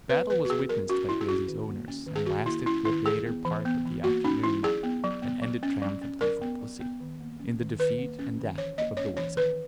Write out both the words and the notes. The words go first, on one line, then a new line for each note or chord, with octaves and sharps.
The battle was witnessed by Graysie's owners, and lasted the greater part of the afternoon, and ended triumphantly for pussy, in the defeat and death of the weasel.
B3 B4
E3 B4
F#4
B3 G#4
F#3 A#4
C#4 F#4
F#3 E4
G#4
C#4 F#4
D#3
A#3
C#4
D#3
G#4
D#3 F#4
A#3 E4
C#4 E4
D#3 E4
E3 G#4
B3
E3
B3
E3
A#3 F#4
C#4 D#4
E3 E4
F#3 G#4
B3
F#3
B3
F#3
C#4
F#3
C#4
F#3 A#4
B3
F#3
B3
D#3
A#3
C#4
D#3
D#3 B4
A#3
C#4
D#3
E3 C#5
A#3 D#5
C#4 C#5
E3 C#5
D#3 B4